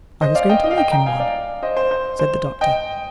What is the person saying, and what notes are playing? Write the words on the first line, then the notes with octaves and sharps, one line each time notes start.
"I was going to make him one," said the Doctor.
C5 D#5
D5 F5
D#5 G5
D#5
F5
D#5 G5
G5 A#5
F5 G#5
D5 F5
C5 D#5
C5
C5
C5
D#5 G5